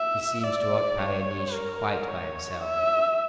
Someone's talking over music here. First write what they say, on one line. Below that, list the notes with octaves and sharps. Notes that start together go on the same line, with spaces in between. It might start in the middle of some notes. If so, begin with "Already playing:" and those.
He seems to occupy a niche quite by himself.
Already playing: E5
D5
C#5
A#4
C#5
E5